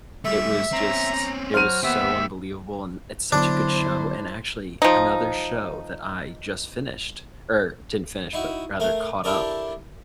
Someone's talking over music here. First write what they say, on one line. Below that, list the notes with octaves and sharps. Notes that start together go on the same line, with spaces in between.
It was just it was so unbelievable, and it's such a good show and actually another show that I just finished, or didn't finish, but rather caught up,
G3 A3 E5
C4 C#4 A#5
F#3 C5 F6 D#7
A#3 B3 G4 E5
D3 F#3 B3 D4 E4 C5
F3 D#4
D#4 E4 F#4
A3 A#4 F5
D4 E4 G4 A4 A#4 D5